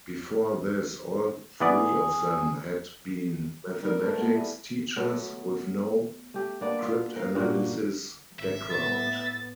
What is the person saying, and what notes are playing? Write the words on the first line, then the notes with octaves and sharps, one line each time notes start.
Before this, all three of them had been mathematics teachers with no cryptanalysis background.
E3 B3 G#4 D5
G3 D#4 A#4
A3 A4 B4
G#3 A#3 B3
G3 E4 G#4
F#3 A3 B3
A3 G4
A#3 B3 D4 D5
F4 F5
A#4 F5
G2 A#2 A#3 F#4
G#1 E5
A2 B3 A6